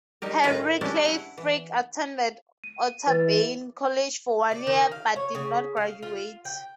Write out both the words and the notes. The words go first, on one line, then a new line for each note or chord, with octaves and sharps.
Henry Clay Frick attended Otterbein College for one year, but did not graduate.
G3 D#4 G4 A#4
A2 D#3 F4 A#4 B4 A#5
C#4 D4 E4 G4 A#4 A5
E4 F#5
E3
D#7
E3 B4 A6
D5
D#3
F5
C#5
C#3
F5
F4
G5